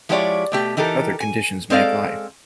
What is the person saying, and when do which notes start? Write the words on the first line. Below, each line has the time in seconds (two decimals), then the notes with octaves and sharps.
Other conditions may apply.
0.09 F3 G#3 E4 G4 C#5 D5
0.52 B2 A3 G4
0.77 E3 D#4 G4 A4 A#4
1.20 G#5
1.70 G#3 C4 A4 D5 F5